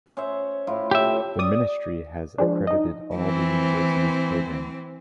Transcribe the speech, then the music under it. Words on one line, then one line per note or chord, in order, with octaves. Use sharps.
The Ministry has accredited all the university's programs.
C#4 C5 E5
A2 E4 F4
G4 A4 E5
D5 D#6
F3 G#3 D4
D#4 D#5
E3 C4